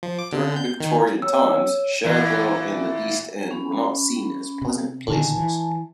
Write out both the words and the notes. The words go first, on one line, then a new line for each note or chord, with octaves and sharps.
During Victorian times, Shadwell and the East End were not seen as pleasant places.
F3
D6
D3
G6
D#3
C#5 E6
A#2 E3
C#4 B5
C3
A#2 D3 D#3 G#5 A5
E3